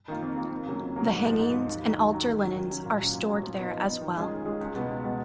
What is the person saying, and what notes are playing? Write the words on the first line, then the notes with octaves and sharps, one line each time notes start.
The hangings and altar linens are stored there as well.
D#3 A#3 F4
F2
D#3 A#3 F4
F2
C#3 F#3 A#3 C#4
F2
C#3 F#3 A#3 C#4
G#2
F3 G#3
G#2
F3 G#3
D#2
D#3 F#3
D#2
D#3 F#3
D#3
F#3 C#4
D#3
F#3 C#4
A#2
F#3 C#4
A#2
F#3 C#4
F3
B3 D#4
F3
B3 D#4
D#3
G#3 C#4 F4 G#4
D#3
G#3 C#4 F4 G#4
C#2
B2 G#3 B3
C#2
B2 G#3 B3